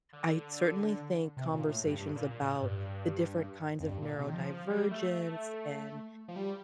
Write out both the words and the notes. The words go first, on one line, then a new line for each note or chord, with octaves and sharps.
I certainly think conversations about the different kinds of neurodivergence and
D3
C3
A#2
A2
G2
G2
A#2
A#2
A#2
A2
G2
F2
G2
A#2
C3
D#3
F3
F3
G3
A3
F3
G3